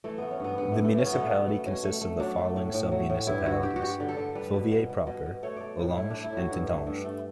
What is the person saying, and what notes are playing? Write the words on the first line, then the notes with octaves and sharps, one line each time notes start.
The municipality consists of the following sub-municipalities: Fauvillers proper, Hollange, and Tintange.
E3 A3
A3 B3
C#4
G2 B3
G2 B3
G2 A3
A3
E3 C#4
B3
B2 A3
B3
B2
A3
B2 C#4
A3
A3
F#3 D4
A3
A2
A2
F#3
A2
G2 E4
G2 F#4
G2 G4
F#4
G3 G4
D3
A4
D3
G3 B4
B2
B2
B2
B2
B2
A3 C#5
A3 D5
A2
A3 E4
A3 D4
E4
A2 F#4
G2
A3
G2
A3